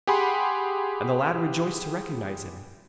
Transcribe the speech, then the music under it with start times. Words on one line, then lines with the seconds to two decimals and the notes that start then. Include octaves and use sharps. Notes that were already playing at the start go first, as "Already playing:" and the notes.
And the lad rejoiced to recognise him.
0.07 G4 G#4 F#5 G#5 B5 C6